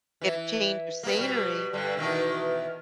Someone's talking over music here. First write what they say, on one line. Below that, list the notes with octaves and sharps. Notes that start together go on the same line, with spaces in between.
get a change of scenery,
E3
A#3 B3
B2 G3
G2 D3 G3
B2 D#3 E3